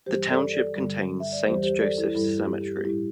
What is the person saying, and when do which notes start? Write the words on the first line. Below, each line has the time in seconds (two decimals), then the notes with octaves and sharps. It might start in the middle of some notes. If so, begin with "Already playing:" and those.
The township contains Saint Joseph's Cemetery.
0.06 G2 E3 G3 G4 C5
0.30 A4 D5
0.53 A4 D5
0.76 G2 D3 G3
1.20 E5
1.32 D5
1.46 E2 E3 G3 G4 C5
1.63 G4 C5
1.81 A4 D5
1.97 E4 A4
2.15 G2 G3 E4 A4
2.38 G4
2.61 G4
2.76 G4
2.85 A2 G3 E4